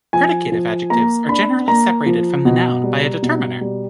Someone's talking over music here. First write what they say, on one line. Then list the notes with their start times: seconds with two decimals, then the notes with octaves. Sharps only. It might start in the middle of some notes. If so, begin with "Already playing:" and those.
Predicative adjectives are generally separated from the noun by a determiner.
0.13 F3 G#5
0.52 F3
0.90 A#3 A#5
1.29 D4 B5
1.68 A#3 A#5
2.06 F3
2.45 B2
2.84 G3
3.22 B2
3.61 G3